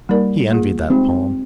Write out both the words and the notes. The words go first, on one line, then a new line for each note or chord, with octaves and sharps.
He envied that poem.
G3 A#3 D#4 A#4 D5
A#3 F4 G#4
G#3 C4 D#4 G4